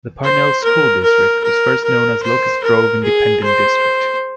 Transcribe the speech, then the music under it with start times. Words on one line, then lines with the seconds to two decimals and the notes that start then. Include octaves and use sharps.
The Parnell school district was first known as Locust Grove Independent district.
0.23 C5
0.63 A#4
1.03 A#4
1.43 A#4
1.83 A#4
2.23 C5
2.63 A#4
3.03 G#4
3.43 C5